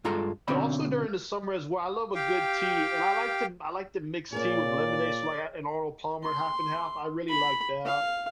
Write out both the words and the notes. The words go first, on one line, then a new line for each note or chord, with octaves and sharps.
but also during the summer as well, I love a good tea and I like to m I like to mix tea with lemonade, so, like, I an Arnold Palmer half and half, I really like that.
G2 G#3 F4 A4 A#5
B2 D3 C4 C#4 D5 B5
G4 F5 G5
A#2 G#4 A#4 C#5 D5
C6
B5
F5